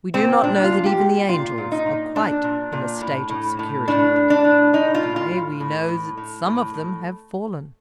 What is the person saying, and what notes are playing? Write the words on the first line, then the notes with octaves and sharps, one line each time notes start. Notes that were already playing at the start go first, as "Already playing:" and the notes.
We do not know that even the angels are quite in a state of security; nay we know that some of them have fallen.
A#2 C4
A#2 D4
F4
A#2
G4
A#2
A#2 F4
A#2
D#4
A#2
A#2 D4
A#2
A#2
A2
A2
A2
A2 D4
A2
D4
A2
A2 D#4
F4
A2
F4
A2
A2
A2
A2
A2
A2